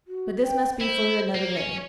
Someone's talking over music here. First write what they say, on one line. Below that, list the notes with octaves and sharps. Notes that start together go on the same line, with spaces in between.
But this must be for another day.
F#4
G5
E4 C5
A#3
C#4